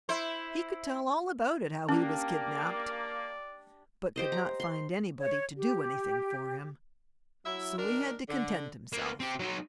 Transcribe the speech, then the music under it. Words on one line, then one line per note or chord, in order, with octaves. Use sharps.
He could tell all about how he was kidnapped, but could not find anybody to do anything for him, so he had to content himself.
E4 C5
A#3 C#4 D4 G4 D5
G4 C5 D#5
A#5
C6
C#5
G4
F#3 E4 E5
F#2 D#3 D4 A#4
D3
A#3 B3
C4 G4
F#3 D#4